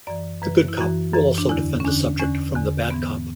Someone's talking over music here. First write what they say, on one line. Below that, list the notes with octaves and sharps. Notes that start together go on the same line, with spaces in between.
The good cop will also defend the subject from the bad cop.
F#2 E3 D5
F#2 E3 B4
E4
F#2 E3 F#4
F#2 E3
D4
E2 D3 E4
C#4
E2 D3 D4
E2 D3 C#4
E2 D3
G#2 E3 B3